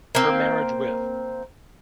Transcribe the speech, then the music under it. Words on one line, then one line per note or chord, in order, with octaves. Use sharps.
Her marriage with.
A#3 C4